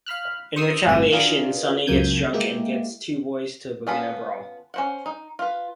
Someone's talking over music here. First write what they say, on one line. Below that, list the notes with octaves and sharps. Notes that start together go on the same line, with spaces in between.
In retaliation, Sunny gets drunk and gets two boys to begin a brawl.
F5 B5 F6 F#6
C5 C#6 D#6 E6 C7
G1 A2 C3 F#4 G#5
D4 F4 F#4 G#4 A#4 B4
C#2 F#2 A#3 G#5 G6 G#6
G#3 A#3 E4 G4
B3 C#4 F4 A4 B5
C#4 C5 F#5
D#4
F4 B4